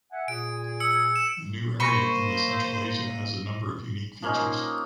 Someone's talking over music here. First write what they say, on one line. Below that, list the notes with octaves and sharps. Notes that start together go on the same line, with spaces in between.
The new area in the Central Asia has a number of unique features.
E5 F#5 G#5
A#2 G#4 D7
E6 C#7
E7
A#3 C5 B5 C#6 A#6 D#7 G7
F3 A#3 C#4 D#4